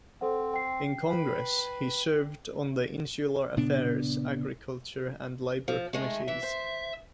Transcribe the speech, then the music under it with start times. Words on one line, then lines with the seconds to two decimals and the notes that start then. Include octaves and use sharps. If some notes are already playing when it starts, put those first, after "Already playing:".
In Congress, he served on the Insular Affairs, Agriculture, and Labor committees.
0.21 C4 A4 C5 F#5
0.54 G5 C7
1.08 B4
3.57 A#2 C#3 B3 D4
5.68 F3
5.93 D#3 G#3 A3
6.28 E3 E5
6.43 C5